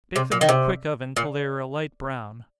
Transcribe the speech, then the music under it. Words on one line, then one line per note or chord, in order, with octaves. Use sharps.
Bake them in a quick oven till they are a light brown.
C3
A#2
D#3
C3
A#2